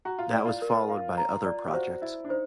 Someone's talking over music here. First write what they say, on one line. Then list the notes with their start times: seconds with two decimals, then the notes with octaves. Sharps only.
That was followed by other projects.
0.05 F#4 A#5
0.19 F4
0.32 E4 D5
0.45 F4
0.62 A#4
0.90 F5
1.18 A#5
1.46 D5
1.67 G4
1.73 F#4 C5
2.02 E4 E5
2.25 D4
2.29 D#4 C5